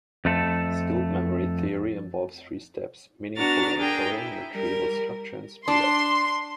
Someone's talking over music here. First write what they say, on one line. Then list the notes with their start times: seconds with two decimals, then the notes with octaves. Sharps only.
Skilled memory theory involves three steps: meaningful encoding, retrieval structure, and speed-up.
0.25 F2 A3 A4
3.37 B3 D4 F#4 A#5 F6 A6
3.79 D4 G#4 A#4 G5 A#5
4.11 E4
4.53 G3 A#4
5.68 D4 C6